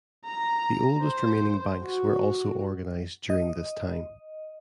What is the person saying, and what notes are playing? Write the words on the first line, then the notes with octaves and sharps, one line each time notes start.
The oldest remaining banks were also organized during this time.
A#5
C5
F#4
D#5